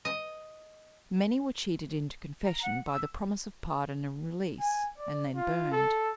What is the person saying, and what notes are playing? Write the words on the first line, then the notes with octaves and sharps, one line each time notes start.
Many were cheated into confession by the promise of pardon and release, and then burned.
D#5
A#5
F#5
E6
G#5
D5
F4
A4